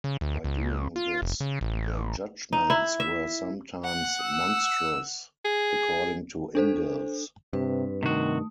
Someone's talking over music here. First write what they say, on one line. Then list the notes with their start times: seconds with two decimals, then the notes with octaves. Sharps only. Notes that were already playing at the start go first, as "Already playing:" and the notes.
By doing this their judgements were sometimes "monstrous" according to Ingalls.
0.04 C#3
0.21 D2
0.44 C#2
0.96 F4
1.22 F1
1.40 C#3
1.61 A1
2.53 D#4
2.70 E4
3.00 E5
3.85 F#5
4.21 E6
5.45 G#4
6.55 D4 A4 C5
7.53 G2 C3 C4 B4
8.03 C3 D#3 A3 F#4 D#6